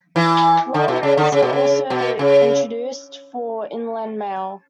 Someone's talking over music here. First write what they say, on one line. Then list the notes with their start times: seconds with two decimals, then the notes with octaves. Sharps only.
Lower rates were also introduced for inland mail.
0.16 E3
0.74 D3
0.88 B2
1.03 C#3
1.18 D3
1.32 C#3
1.43 B2
1.53 C#3
1.90 B2
2.19 C#3